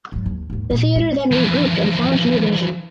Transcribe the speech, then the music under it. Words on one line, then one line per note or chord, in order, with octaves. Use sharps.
The theater then regrouped and found new vision.
G#2 F#3
D#2
D#2 G#2
A#2
G#3
E3 F3